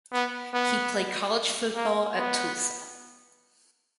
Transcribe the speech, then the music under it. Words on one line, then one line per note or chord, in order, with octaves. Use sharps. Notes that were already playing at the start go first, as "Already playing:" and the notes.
He played college football at Tulsa.
B3
B3
A#3
B3